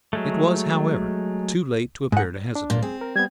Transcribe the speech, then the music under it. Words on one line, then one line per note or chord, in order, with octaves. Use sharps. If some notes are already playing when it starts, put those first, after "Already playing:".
It was, however, too late to appear to hesitate.
F#3 G#3 A3
G#2 F#5
D4
A#2
C4 G#4
A#4
G3 B3 G#6